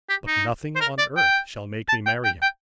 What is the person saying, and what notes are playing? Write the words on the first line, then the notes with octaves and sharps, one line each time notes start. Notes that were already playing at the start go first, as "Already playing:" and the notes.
But nothing on earth shall make me marry him.
G4
D#4
C5
A#4
D5
G5
A5
G5
G5
G5